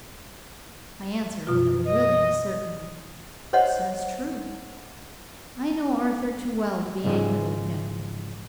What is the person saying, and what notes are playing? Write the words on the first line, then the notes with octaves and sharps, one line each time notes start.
I answered--and it was really in a certain sense true--"I know Arthur too well to be angry with him."
F#2 B2 F4
D#5
C5 C#5 D#5 F#5
G#2 C#3 E3 F3 G#3